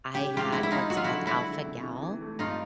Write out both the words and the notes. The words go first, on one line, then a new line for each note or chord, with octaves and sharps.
I had what's called alpha-gal.
C#4 G4
G#3 F4 G4
G#3 E4 F#4
E4
F3 D#4 F4
F#3 F#4
F4
D3 E4 F#4
D3 E4 F#4
D3
C3
E3
E3
A3
G2 D#4 F4